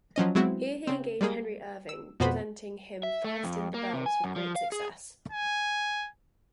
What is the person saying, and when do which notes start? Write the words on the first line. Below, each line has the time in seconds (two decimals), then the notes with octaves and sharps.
Here he engaged Henry Irving, presenting him first in "The Bells", with great success.
0.16 F3 F#3 C#4 D#5
0.35 F#3 G#3 B3 C4 E4 F#4
0.87 C#3 C4
1.21 G3 G#3 A#3 G#4
1.89 E6
2.20 F2 B2 B3 F#4 C5 B5
3.03 E5
3.24 A3
3.44 F2
3.74 A#3
3.93 C3
4.06 G#5
4.24 F#2
4.36 F3
4.56 F5
4.72 G#4
5.32 G#5